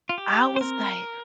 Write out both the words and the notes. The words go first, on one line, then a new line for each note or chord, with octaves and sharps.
I was, like
F4
G4
C5
C4 A#4